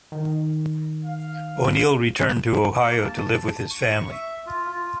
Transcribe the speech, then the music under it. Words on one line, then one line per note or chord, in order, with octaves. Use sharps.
O'Neill returned to Ohio to live with his family.
D#3
F5
A#3
A5
C#6
E5
F4
F4